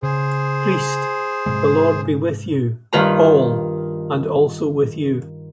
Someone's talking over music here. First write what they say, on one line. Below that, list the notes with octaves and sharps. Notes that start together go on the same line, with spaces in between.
Priest: The Lord be with you. All: And also with you.
C#3 G#4 C5
G#2 C3 G#3
G2 D#3 F4 B4 A#5